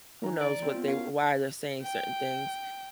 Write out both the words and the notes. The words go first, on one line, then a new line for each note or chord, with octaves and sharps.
who knows what they why they're saying certain things.
D#3 G#5 A#5
D5
C4
B3 F4
C#4 A#4 F5
G5